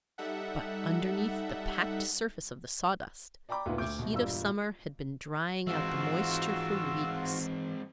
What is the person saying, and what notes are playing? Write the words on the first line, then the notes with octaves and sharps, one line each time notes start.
But underneath the packed surface of the sawdust, the heat of summer had been drying out the moisture for weeks.
G3 D#4 A4 E5 F#5
D5 G5 A#5 B5 D6
D2 A#2 B3 D#4 F4 B4
D2 D6 G6 D7
A#1 B2
E1 G2 A#2 F4 D5 E6
G#2 E3 G#3 C4 F4 F#4 E6